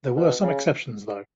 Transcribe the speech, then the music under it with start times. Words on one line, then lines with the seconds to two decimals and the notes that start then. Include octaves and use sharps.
There were some exceptions though.
0.17 B2
0.43 C#3